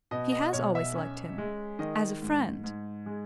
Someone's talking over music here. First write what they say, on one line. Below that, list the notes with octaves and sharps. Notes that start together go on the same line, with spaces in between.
"She has always liked him--as a friend."
B2 D#5
D#5
B1 C#5
E5
C#4
G#3
D#3 D#5
G#2
G#2
G#3